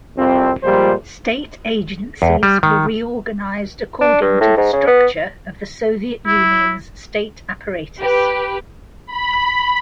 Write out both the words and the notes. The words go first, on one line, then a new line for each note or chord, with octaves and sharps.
State agencies were reorganised according to the structure of the Soviet Union’s state apparatus.
C2 F2 F3 C4
A#2 F3 G3 G#3 C5
E2
G3
D#3
D4
G2
A2
G#2
C#3
B3
E4
G4 B4
B5